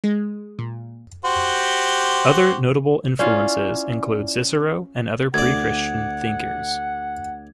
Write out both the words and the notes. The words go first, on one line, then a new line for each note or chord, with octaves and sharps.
Other notable influences include Cicero and other Pre-Christian thinkers.
G#3
A#2
F#4 G4 C5
C#4 E4 F4 D5
D2 D5 F#5 G#6